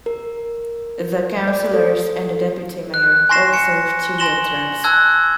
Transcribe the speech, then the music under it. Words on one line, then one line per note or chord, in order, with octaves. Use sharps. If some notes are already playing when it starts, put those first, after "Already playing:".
The Councillors and the Deputy Mayor all serve two year terms.
A#4
D5
A4
F#6
G#5 C6 C#6 A#6 C7 E7
G#5 C#7
G#5 C6 A#6 E7 F#7 G7
A5 E6 F#6 G#6